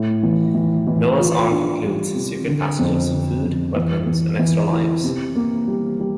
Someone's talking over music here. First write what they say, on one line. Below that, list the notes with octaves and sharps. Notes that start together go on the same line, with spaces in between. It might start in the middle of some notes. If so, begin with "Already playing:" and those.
"Noah's Ark" includes secret passages, food, weapons and extra lives.
Already playing: A2
E3
E3
E3
F4
D4
G3
C3
D3
F2
D3
F2
E3
E3
E3
E4
C3
A#3
G3
G3